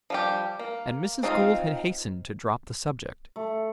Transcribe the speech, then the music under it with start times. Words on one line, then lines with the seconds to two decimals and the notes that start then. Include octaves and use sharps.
And Mrs. Gould had hastened to drop the subject.
0.10 F3 G3 G4
0.59 A#3
1.23 C4 D4 D#4 F4 F5
3.36 A3